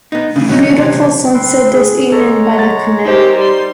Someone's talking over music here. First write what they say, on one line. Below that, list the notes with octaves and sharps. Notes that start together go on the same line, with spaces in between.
Beautiful sunset this evening by the canal.
B3 D#4
C#3 E3
D#3 F#3 C#4 D#4
C3 E3 C#4
C4 B4 C6
G#4
G#3 A4 C#5 A#5
F#5 A6
D#4 G4 A#4 C5
G3 C6